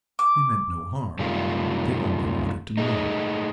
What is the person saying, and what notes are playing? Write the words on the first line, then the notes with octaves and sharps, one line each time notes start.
They meant no harm they only wanted to know.
D6
F#2 C3 D#3 G3 A3 F4
G#3 A3 D#4